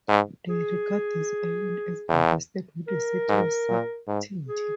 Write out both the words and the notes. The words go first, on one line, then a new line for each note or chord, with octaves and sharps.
They regard these islands as invested with a certain sanctity.
G#2
G#4
E2
A#4
G#2
A#2
G#2
G#4